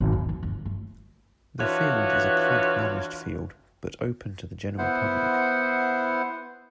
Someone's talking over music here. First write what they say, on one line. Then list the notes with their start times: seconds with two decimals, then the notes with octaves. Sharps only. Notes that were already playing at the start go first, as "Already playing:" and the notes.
The field is a club managed field, but open to the general public.
0.01 G#1
0.12 D#2
0.29 A3
0.43 G1
0.65 A3
1.60 E3 D4 F4 F#4 B4 C#5
4.78 B3 E4 C5 F#5